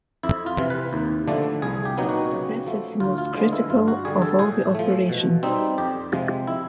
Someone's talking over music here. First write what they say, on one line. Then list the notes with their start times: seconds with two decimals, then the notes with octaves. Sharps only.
This is the most critical of all the operations.
0.23 F2 E4
0.46 F4
0.58 C3 E3
0.70 B4
0.93 D#2
1.28 D3 F3 A3 D4
1.62 C2 G#4
1.85 G4
1.97 A#2 F#3 B3 D#4
2.09 F#4
2.32 C#3
2.67 F3 A3
3.00 D2 F4
3.18 F4
3.35 D3 F3 G#3 B3 F4
3.53 E4
3.70 G2 F4
3.88 F#4
4.05 D3 G3 G#4
4.22 A4
4.39 A2 G#4
4.75 F3 A3
5.09 B2
5.43 G3 C4 D#4
5.78 F2 G4
6.12 C3 F3 G#3
6.47 E4